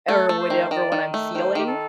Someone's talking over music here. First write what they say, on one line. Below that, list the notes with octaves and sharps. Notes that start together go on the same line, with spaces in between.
or whatever when I'm feeling.
A3 A4
A3
C5
D#3
D#3 D#5
D5
D#3
A3
D#3 C5
D#3 G4
A4